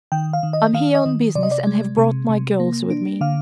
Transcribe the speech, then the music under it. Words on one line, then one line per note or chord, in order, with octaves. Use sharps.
I'm here on business and have brought my girls with me.
D#3 G5
F5
D#3
D#5
D#3 F5
D#5
D#3
C3 D5
D#5
D5
G#3
C3
C3
A#3
D4
D3 F5